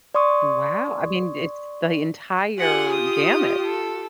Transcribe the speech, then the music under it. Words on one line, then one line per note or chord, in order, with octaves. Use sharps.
Wow. I mean, it's the entire gamut.
D5 C6 C#6 D#6
F4 G4 G#4 F#5
D#6
A4